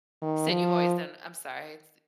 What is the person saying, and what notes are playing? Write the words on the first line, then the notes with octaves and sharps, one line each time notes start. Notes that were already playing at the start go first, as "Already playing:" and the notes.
Said you've always done I'm sorry, it's
D#3
F3